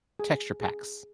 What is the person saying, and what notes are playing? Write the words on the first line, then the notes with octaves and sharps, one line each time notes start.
texture packs.
G#4
G#4